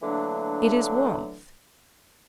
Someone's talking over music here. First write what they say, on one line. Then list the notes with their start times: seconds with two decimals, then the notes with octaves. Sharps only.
It is warmth.
0.01 D3 E3 F#3 A3 A#3 D4